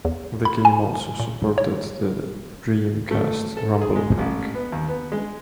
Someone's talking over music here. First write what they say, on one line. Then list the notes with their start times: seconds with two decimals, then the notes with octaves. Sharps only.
The game also supported the Dreamcast rumble pack.
0.05 E2
0.45 B5
0.65 G#5
1.20 A#2
1.58 C#5
3.11 A3
3.57 A4
3.82 G#4
3.96 G#3
4.19 A1
4.55 B3
4.72 D#2
4.88 B3
5.12 G#3